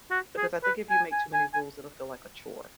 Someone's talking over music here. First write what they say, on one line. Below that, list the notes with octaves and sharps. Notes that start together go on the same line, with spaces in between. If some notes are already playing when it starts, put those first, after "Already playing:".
because I think if you make too many rules, it'll feel like a chore.
F#4
G#4
B4
G#5
G#5
G#5
G#5